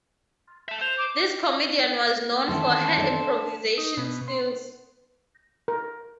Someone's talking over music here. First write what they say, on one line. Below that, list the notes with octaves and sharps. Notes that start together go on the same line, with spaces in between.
This comedian was known for her improvisation skills.
E5 A5
C5 F7
D6
D#3 E3 A3 C4 C#4 E5 A5 C6
D4 A4
D#4
B2
C6
A#4